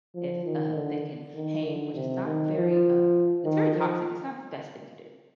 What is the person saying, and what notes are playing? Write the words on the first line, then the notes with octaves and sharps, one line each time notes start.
if, uh, they can hang, which is not very, um it's very toxic, it's not the best thing to do.
F3
D#3
D3
D#3
D3
C3
D#3
F3
D#3
F3